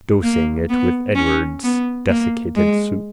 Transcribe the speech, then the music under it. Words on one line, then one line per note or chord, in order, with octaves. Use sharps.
Dosing it with Edwards' desiccated soup.
A#3
B3
C#4
B3
A#3
G#3